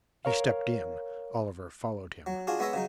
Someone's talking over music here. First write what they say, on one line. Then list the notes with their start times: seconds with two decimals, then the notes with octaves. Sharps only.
He stepped in; Oliver followed him.
0.25 A#4 C#5 F5
2.26 F#3
2.47 D4 F4 F#4 G#4
2.59 G#3 B3 E4 C#5 D#5 E5
2.73 C#3 F#3 D#4